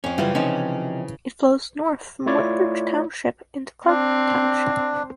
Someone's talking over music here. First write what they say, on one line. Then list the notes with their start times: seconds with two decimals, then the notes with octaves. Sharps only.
It flows north from Woodbridge Township into Clark Township.
0.04 F2 F3 C#4
0.18 F#2 C#3 E3 G3 F4 C5 E5
0.35 C3 F3 C#4 D#4
2.26 A3 E4 F4 C#5 D5
3.88 C4 D4